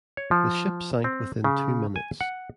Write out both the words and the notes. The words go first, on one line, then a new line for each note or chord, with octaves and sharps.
The ship sank within two minutes.
C#5
F3
C4
C#3
G#5
F#5